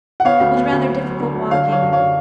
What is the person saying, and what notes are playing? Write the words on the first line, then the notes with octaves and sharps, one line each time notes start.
It was rather difficult walking.
F#5
B3 C#5 F5
D2
B3
D2
F#3
F#3
D3
F#3
D3 C#5 F5
D3
C#5 F5
F#2
C#5 F5
D3